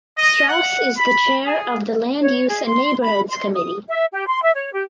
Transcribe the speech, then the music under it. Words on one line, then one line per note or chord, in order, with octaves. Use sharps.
Strauss is the chair of the Land Use and Neighborhoods Committee.
D#5
F#5
B5
G#4
C#5
G#4
C6
B5
C6
D#6
E5
G4
C6
E5
C#5
G4